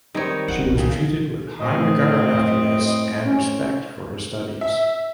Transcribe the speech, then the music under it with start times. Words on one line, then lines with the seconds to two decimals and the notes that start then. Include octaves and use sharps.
She was treated with high regard after this and respect for her studies.
0.15 D#3 G3 C4 D#4 C#5
0.48 F#2 F#5
0.62 C2 D#3
0.76 A#1 C#3 G#4
1.59 A2 C4 D#5
3.25 C#4
4.61 E5